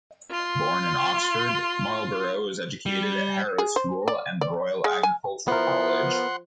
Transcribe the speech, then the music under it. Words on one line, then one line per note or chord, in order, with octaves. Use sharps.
Born in Oxford, Marlborough was educated at Harrow School and the Royal Agricultural College.
F4 C6
G3
G#4
C5
D5
D5
G#3
G#5
F3 B3 E4 A#4 F#5 C6